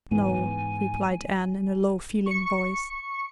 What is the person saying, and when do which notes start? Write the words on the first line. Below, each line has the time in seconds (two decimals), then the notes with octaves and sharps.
"No," replied Anne, in a low, feeling voice.
0.11 G#2 E3 B3 G#5
2.26 C#6 C#7